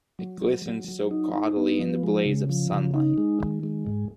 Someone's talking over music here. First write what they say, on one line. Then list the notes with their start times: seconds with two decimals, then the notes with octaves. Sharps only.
It glistened so gaudily in the blaze of sunlight.
0.19 F#3
0.42 F#3
0.66 F#3
0.88 F#3
1.11 D#4
1.34 D#4
1.56 B3
1.80 F3
2.04 G#3
2.26 C#3
2.49 F3
2.72 C#3
2.94 D#4
3.18 G#3
3.40 D#3
3.63 G#3
3.87 G#2